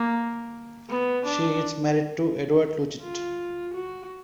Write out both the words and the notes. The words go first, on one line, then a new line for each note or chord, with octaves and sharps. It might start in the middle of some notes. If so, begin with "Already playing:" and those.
She is married to Edward Lucht.
Already playing: A#3
B3
D4
F4
F#4